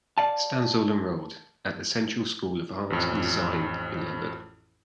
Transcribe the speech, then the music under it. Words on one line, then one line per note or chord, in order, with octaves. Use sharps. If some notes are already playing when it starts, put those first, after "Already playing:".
Stanshall enrolled at the Central School of Art and Design in London.
D5 F5 A5
A1 F2